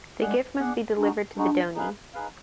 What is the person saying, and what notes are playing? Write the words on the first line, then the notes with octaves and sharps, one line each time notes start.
The gift must be delivered to the donee.
G#3 D4 G#4 D5 F#5
B3 D4 G#4 D5 F#5
G#3 D4 D#4 F#4
G#3 D4 D#4 F#4
D#4 G#4 B4 F5
D#4 G#4 B4 F5